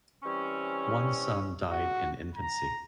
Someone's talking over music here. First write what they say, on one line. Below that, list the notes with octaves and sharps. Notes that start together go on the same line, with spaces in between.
One son died in infancy.
E3 G3 C4 C#4
F#4
A#5